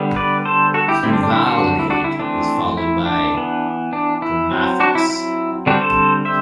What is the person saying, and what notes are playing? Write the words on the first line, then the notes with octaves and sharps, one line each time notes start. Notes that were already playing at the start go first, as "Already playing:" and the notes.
Fluvalinate was followed by coumaphos.
Already playing: D3 G3 B3
B4 D5
A4 C5
F#4 A4
E4 G4
D3 G3 C4 E4
D4
D4
E4
D4 F#4
E4
D4 F#4
E4
E3 A3 C4 D4
E4
D4
E3 B3
D4
E4
F#3 C4
D4 F#4
E4
E4
D3 G3 C4 D4 F#4
A4 C5
C5 E5